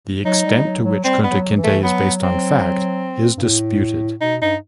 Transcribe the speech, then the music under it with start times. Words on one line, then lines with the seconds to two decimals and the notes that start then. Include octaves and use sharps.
The extent to which Kunta Kinte is based on fact is disputed.
0.25 F#3 D#4
0.45 G3
0.65 F#3
0.85 F#3
1.04 G3 C4
1.24 B3
1.31 F#3
1.57 E3
1.64 A3
1.83 F#3 B3
2.23 C4
3.37 G2
3.42 A2
4.21 B2 D#4
4.42 G2 D#4